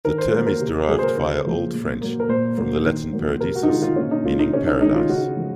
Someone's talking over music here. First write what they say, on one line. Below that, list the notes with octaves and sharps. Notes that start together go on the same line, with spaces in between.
The term is derived "via" Old French from the Latin "paradisus" meaning "paradise".
D#3 A#4
C5
F#3 A#3 A#4
A#4
C3
F#3 A#3 G#4
C5
A#4
C#3 C5
F3 A#3
A#2
F#3 A#3
A#4
A#2 C5
F#3 A#3
D#3
F#3 A#3
C3 A#4
F#4
D#4
D#3 G#3 F4
F4
A#2 C#4
D#4
G#3 F4
D#4
C3 C#4
D#4
D#3 G#3 D#4
F4
C#3 F#4
F3 G#3